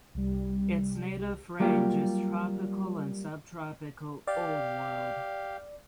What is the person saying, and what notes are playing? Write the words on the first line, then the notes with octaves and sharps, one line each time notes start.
Its native range is Tropical and Subtropical Old World.
C2 G3
F#3 G3 A#3 F4 G4
G4 D5 F5